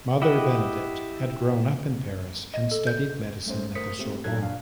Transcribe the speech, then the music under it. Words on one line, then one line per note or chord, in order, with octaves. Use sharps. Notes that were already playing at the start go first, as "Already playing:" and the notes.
Mother Benedict had grown up in Paris and studied medicine at the Sorbonne.
E4 G4 D#5 F#5
D#5
A4
G6
G3 A3 C#4 C5
A3 A#4 C5 D#6 B6 C#7
A3 A#3 C4 G4
G2 F#3 D#4 A4 F#6 G#6
A#2 D4 F5